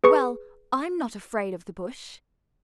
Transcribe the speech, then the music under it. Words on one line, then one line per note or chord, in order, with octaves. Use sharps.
"Well, I'm not afraid of the Bush."
G#4 B4 C#6 C#7